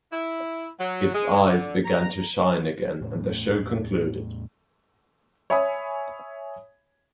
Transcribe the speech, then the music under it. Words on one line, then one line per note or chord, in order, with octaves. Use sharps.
Its eyes began to shine again and the show concluded.
E4
F#3
G#3
D3
A#5
E2 A2 A3 C#4
C#5 E5 G#5 B5 D#6